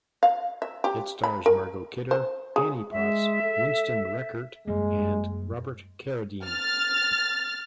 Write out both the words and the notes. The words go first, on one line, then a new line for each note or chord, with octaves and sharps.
It stars Margot Kidder, Annie Potts, Winston Rekert and Robert Carradine.
F5
E5
G4
B5
A#4
C5
G#4
G#3 E5
A4
F#2 G3 G#3 A#3
F6 A6